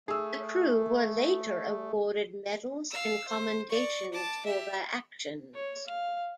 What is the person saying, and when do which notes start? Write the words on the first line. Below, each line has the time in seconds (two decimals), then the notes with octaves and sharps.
The crew were later awarded medals and commendations for their actions.
0.08 A3 G#4 E6
2.91 F5 E6
3.28 C5
3.70 D5 C#6
4.13 A5 D6
4.46 G4 E5
5.54 C#5
5.87 F5